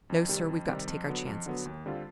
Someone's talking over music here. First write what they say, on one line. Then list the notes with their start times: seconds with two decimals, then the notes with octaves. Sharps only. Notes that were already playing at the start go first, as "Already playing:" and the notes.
No, sir--we've got to take our chances.
0.10 F2
0.28 C3 D#3 G3
0.49 F2
0.68 C3 D#3 G3
0.87 F2
1.07 D3 F#3 B3
1.27 F2
1.46 D3 F#3 B3
1.65 D#2
1.86 D3 G3 C4 F4